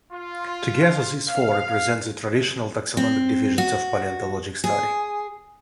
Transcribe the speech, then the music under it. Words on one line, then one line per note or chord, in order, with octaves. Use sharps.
Together these four represent the traditional taxonomic divisions of paleontologic study.
F4
F5
C4
F#4
G#4